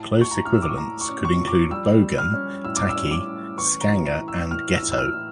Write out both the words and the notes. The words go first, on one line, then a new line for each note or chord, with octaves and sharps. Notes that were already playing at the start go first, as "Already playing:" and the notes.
Close equivalents could include bogan, tacky, scanger and ghetto.
Already playing: A2 A5
A2
C#6
A#5
A2 F6
E6
D6
C#6
A2 A#5
C#6
C#4
C#6
F3
D6
G3 E6
G3
F6
C#4
A2 E6
D6
E6
C#4
D6
A2
E3 C#6
A#5
A2
A#5
E3
E6
A2 F6
E6
A2
E6
F6
A2